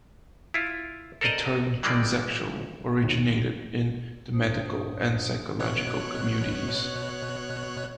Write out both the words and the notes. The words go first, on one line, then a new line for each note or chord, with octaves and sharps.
The term "transsexual" originated in the medical and psychological communities.
E4 F4
A4 A#4 C5 D5 D#5 A#5
E3 G3 G#3 A#3 F4 D5
D#2
G2 A#2 D4 C5 D#6
B2 C#5 F#6